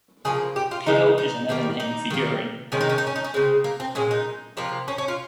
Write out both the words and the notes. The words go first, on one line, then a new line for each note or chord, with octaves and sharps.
Piddle is another name for urine.
C#3 F3 A#3 G#4
G4
F4
C#3 F3 G#3 D#4
D#4
D#3 G3 A#3
D#4
D#3 G3 A#3
C3 D#3 G#3 C#4
D#4
C#4
D#4
C#4
D#4
C#4
C#3 G#3 C4
A#3
C4
A#2 G#3 C#4
D#4
C3 F3 A#3 F4
C#4
C#4
F4